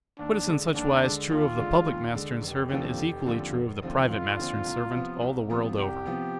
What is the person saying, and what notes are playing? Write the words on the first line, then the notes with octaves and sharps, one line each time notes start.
What is in such wise true of the public master and servant, is equally true of the private master and servant all the world over.
D#2 D4
D3 G#3
D#2 D4
D3 G#3
D#2 F4
D3 G#3
D#2
D3 G#3
F1 G4
D#2 D3 F3 C4
F1
D#2 D3 F3 C4
F1
D#2 D3 F3 C4
F1 F4
D#2 D3 F3 C4
C2
C3 F3 B3
C2
C3 F3 B3
C2 G4
C3 F3 B3